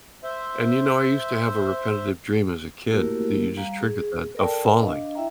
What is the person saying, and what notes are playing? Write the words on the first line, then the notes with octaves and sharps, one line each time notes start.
And, you know, I used to have a repetitive dream as a kid, that you just triggered that, of falling
C5 E5
A3 A#3 E4 F#4 G4 A#4
G3 F5 A#5
G#4
A4 A#4 D5 G5 A5
D4 D#5 F5
E4 E5 G5 A#5